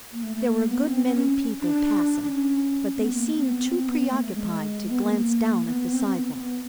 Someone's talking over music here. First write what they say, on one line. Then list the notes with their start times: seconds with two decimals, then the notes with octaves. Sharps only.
There were a good many people passing, but they seemed too preoccupied to glance down at the sidewalk.
0.13 A#3
0.23 A3
0.36 A3
0.46 A#3
0.69 B3
0.84 C#4
0.91 C4
1.06 C4
1.14 C#4
1.60 D4
2.23 D4
2.28 C#4
2.96 B3
3.14 A#3
3.36 C4
3.48 B3
3.64 C4
3.88 B3
4.10 A3
4.17 A#3
4.25 A3
4.33 G#3
4.90 B3
5.02 A#3
5.66 A#3
5.69 B3
5.93 C4
6.15 B3
6.37 B3